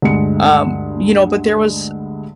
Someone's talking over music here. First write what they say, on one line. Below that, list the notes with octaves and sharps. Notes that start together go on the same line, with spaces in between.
um, you know? But there was,
D2 G2 G#3 C#7